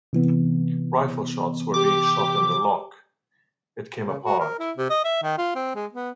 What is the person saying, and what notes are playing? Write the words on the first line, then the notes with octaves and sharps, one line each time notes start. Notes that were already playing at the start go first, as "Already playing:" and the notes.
Rifle shots were being shot in the lock: it came apart.
C3 E3 B3
G4 D6
C#3
F#4
A#4
E4
C3
D#5
E5
D#3
F4
C4
G#3
B3